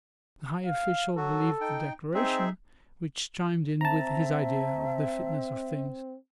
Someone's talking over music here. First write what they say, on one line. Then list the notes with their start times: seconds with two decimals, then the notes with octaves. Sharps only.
The high official believed the declaration, which chimed in with his idea of the fitness of things.
0.66 F5
1.17 F#3 F#4 A4
1.61 D#4 G5
2.15 C4 D#4 G#4 E5
3.81 C4 E5 A5 A#5